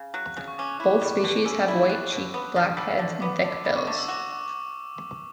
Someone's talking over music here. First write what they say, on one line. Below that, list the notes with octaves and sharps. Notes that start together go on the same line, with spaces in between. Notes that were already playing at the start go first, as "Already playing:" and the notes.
Both species have white-cheeked black heads and thick bills.
Already playing: C#3
F#3 F#6
C#3
C#6
C#4 D6
E4
G3 D6
B2
C#4 E6
E4
G3 F#6
B2
B3
D3
G3 E6
D3
B3 D6
D3
G3 D6
C#6
D3 D6
E6
F#4 D6